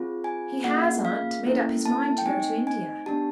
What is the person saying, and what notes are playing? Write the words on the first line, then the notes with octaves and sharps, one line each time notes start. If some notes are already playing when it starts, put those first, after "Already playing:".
"He has, aunt, made up his mind to go to India."
Already playing: C4 F4 G#4
G#5
A#3 C#4 F4 G#4 F#5
F5
A#3 C#4 E4 A4
A5
G5
A3 C4 D#4 G#5
G#5
B3 D4 G4 A5